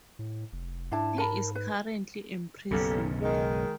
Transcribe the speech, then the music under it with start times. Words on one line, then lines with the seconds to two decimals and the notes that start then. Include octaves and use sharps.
He is currently imprisoned.
0.19 A2
0.52 F1
0.92 G#2 D4 E4 A5
1.18 A#4 A5 B5
1.55 B4
2.71 B1 F#2 C#3 A#3 G4 A4
3.21 D#3 G#3